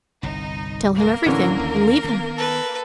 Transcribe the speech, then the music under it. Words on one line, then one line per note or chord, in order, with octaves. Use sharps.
"Tell him everything, and leave him."
G1 C2 D#4
A#3 A#4
A2 D3 E3 C#4
D#2
D#3 B3
A4 B4